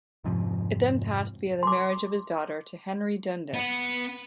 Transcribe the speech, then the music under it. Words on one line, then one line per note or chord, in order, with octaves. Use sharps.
It then passed via the marriage of his daughter to Henry Dundas.
F2 G#2 C3 F3
C6 D6
B3 F#5